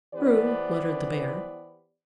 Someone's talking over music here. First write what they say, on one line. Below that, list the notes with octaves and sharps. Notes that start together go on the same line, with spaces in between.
"True," muttered the Bear.
E3 B3 G4 B4 C5 D5